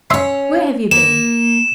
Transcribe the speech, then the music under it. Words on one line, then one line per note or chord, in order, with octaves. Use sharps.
Where have you been?'
C#4 C#5 E5 C6
A#3 E7